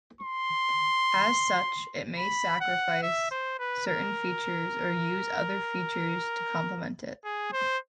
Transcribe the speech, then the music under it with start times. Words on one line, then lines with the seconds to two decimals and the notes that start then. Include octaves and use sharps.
As such, it may sacrifice certain features, or use other features to complement it.
0.21 C6
2.18 B5
2.61 F#5
3.03 E5
3.31 C5
3.59 B4
3.87 A#4
7.25 G#4
7.53 C5